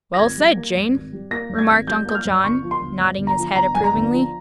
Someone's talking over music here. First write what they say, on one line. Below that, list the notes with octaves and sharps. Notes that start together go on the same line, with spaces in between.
"Well said, Jane," remarked Uncle John, nodding his head approvingly.
A#6
G#1 G#6
G3
A#3
G2
G#1
G3
A#3 A#6
G2
G#6
G#1
G3 G6
A#3 G6
F6
G2
G1 C#6
F3
C6
G1
G2
G1
A#5
F3
G1 A#5
G2 G#5
A#5
G1
F3